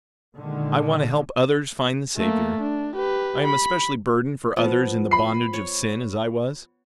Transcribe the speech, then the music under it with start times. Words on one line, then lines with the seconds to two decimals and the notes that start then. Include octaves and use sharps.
I want to help others find the Savior. I am especially burdened for others in the bondage of sin as I was.
0.36 A#2 D3 D#3 G#3
2.17 A3 A#3
2.61 D4
2.96 G4 B4
3.44 B5
4.56 F3 B3
5.11 B5 C7
5.53 C#5